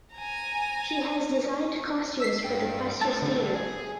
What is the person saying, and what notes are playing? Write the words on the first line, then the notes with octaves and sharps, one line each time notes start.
She has designed costumes for The Questors Theatre.
G#5 A#5
E6 B6 C7
G2 G5
A2 A3 C4 A5
D3
G#4